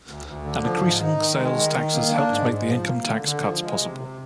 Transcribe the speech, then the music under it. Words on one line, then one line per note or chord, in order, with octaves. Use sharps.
And increasing sales taxes helped make the income tax cuts possible.
D2
D2
D3
F3
G#2
D#4
D#3
G#3
D#3
D#3
A#3
D4
G#2
G#2
F3
A#3
D3
D3
F3
G#3
C3
C3